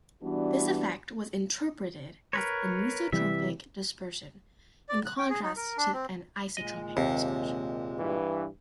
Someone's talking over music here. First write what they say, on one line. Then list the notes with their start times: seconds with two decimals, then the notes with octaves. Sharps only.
This effect was interpreted as anisotropic dispersion in contrast to an isotropic dispersion.
0.23 E3 G3 B3 D4 F#4
2.33 A#4 B4 C#5
3.12 C3 E3 G3 E5
4.89 D5
5.05 F#6
5.19 G5
5.30 G#4
5.43 D#4
5.56 A#4
5.77 D4
5.93 C4
6.57 A#2 G#3 D#5
6.97 D#2 C3
7.98 G2 E3